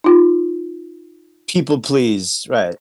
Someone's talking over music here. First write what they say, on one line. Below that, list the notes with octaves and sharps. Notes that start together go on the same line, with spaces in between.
People please, right.
D#4 F4